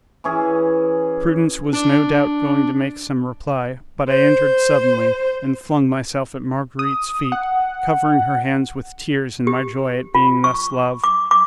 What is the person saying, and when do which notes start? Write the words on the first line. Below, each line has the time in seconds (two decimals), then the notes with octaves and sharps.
Prudence was no doubt going to make some reply, but I entered suddenly and flung myself at Marguerite's feet, covering her hands with tears in my joy at being thus loved.
0.24 E3 C#4 G#4
1.73 D4
4.09 C5
6.79 D#6
7.32 F#5
9.47 G4
10.15 F4
10.44 C#6
11.04 D6
11.31 D6